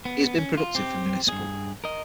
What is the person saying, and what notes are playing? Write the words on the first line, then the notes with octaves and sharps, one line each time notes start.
He has been productive for Municipal.
B3
C#4
F4
C4 G4
G2 G#4
A#4 D#5